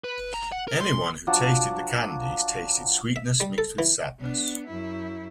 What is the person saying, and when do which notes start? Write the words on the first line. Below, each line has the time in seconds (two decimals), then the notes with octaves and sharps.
Anyone who tasted the candies tasted sweetness mixed with sadness.
0.04 B4
0.34 A#5
0.52 F#5
0.68 A#4
0.81 C6
1.27 F3 F#3 D4
3.16 E5
3.40 G3
3.58 A4
3.79 E3
4.19 B3 D4
4.67 F#2 E4